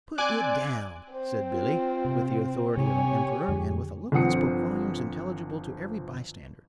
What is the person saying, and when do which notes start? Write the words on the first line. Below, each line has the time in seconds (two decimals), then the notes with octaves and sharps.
"Put it down!" said Billy, with the authority of an emperor, and with a look that spoke volumes intelligible to every by-stander.
0.18 C4 D5 G#5 D6 F#6
1.13 C4 C5
1.51 F4
2.05 C3
2.77 C3 C4 G4 C#5 G#5
3.48 F2 D3 G#3
4.12 G1 F3 C4 F#5 D#6 C#7